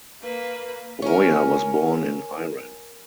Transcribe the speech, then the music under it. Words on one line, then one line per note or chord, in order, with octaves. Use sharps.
Roya was born in Iran.
A#3 B4
C#4 A#4